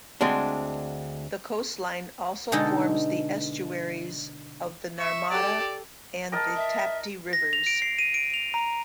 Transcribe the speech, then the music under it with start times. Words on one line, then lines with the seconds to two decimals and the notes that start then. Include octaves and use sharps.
The coastline also forms the estuaries of the Narmada and the Tapti Rivers.
0.21 D2 G#3 C4 D4
2.52 B2 D3 G#3 D#4 A4
4.99 E5 C#6
5.30 G4 A4 D5
6.32 A#4 D#5 A5
6.56 E5
7.33 A#6
7.53 F7
7.67 D7
7.82 C7
7.99 D#7
8.14 D7
8.34 F7
8.54 A#5